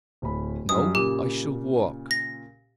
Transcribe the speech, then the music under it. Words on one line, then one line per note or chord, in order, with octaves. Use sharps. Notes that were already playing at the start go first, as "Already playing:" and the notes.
"No; I shall walk."
D1 B5
F#2 G3 D#6
A#2 C#3 G4
A#6